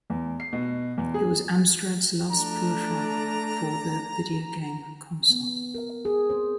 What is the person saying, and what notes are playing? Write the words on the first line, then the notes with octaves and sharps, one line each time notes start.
It was Amstrad's last peripheral for the video game console.
E2
C7
B2
E2
G#4
A3 D4 A#5
B3
A#4
G#4
C4 C5